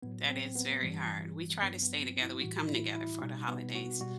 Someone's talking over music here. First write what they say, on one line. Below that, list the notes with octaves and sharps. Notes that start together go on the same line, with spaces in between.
That is very hard, we try to stay together, we come together for the holidays,
A2 F#3 B3
C4
B3
G2 E3 G3
G2 F#3 B3
B3
C4
E4
A2 E3 G3 F#4
E4
E4
B2 G3 D#4
B3
F#4
B2 G3 F#4